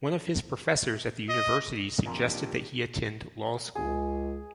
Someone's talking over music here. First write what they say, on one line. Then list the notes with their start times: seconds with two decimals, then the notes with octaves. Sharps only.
One of his professors at the university suggested that he attend law school.
1.29 D#5
2.06 A#1 F2 A#2 D#3 D4 G4
3.75 C#2 G#4